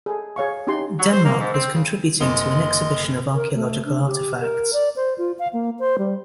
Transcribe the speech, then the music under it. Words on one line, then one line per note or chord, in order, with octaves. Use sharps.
Denmark was contributing to an exhibition of archeological artefacts.
G#4 A4
G#4 C#5 F5 C#6
C#4 D#4 E4 G4 C6
F#3
C5
A#3
G#2
C4
C#3
F#1 D#5 C6
A#4
A3
D4
G4
A#4
D5
C5
F4
F5
A#3
C5
G3